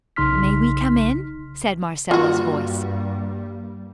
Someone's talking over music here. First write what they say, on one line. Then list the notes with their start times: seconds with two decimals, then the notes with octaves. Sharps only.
"May we come in?" said Marcella's voice.
0.16 B1 C#3 D#4 C6 F6 B6
2.11 G2 G3 A#3 F4 F#4